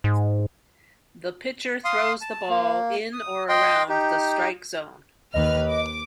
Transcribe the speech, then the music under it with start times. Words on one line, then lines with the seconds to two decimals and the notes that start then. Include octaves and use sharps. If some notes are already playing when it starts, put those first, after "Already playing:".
The pitcher throws the ball in or around the "strike zone".
0.04 G#2
1.85 F5 C6 D#6
2.21 A5
2.49 A#3
3.13 D#6
3.49 D#5 G5 C6
3.89 D#4 G4
5.34 D#2 B4 D#5 F6
5.70 D6